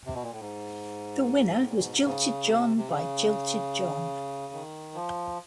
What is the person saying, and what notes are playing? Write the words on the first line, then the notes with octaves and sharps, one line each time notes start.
The winner was Jilted John by Jilted John.
C3
B2
A#2
A2
G#2
A2
A#2
B2
C3
C#3
C3
C3
C#3
D#3
F3